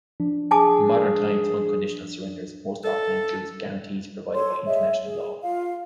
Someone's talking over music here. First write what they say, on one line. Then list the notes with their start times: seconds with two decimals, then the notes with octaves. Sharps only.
In modern times, unconditional surrenders most often include guarantees provided by international law.
0.20 F3 D4
0.51 G#4 G#5 A5 D6
2.84 A4
4.34 A4 C#5 C6
4.66 G#4 C#5 D#5 E5
5.05 G#4
5.42 F4 F5